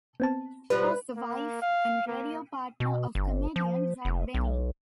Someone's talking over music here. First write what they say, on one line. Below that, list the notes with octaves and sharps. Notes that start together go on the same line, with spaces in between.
She was the wife and radio partner of comedian Jack Benny.
B3 C4 A5
B2 F3 G3 B4
A#3
F5
A#3
B2
G1
F3
F1
B1